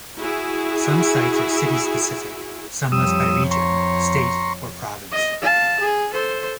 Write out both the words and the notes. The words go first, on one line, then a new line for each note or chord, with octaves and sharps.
Some sites are city-specific, some list by region, state or province.
E4 F#4 G#4
F2 G3 C#5 D#6 E6
A#5 C6 C#6
D#5
F5 A5
G#4
A4 C5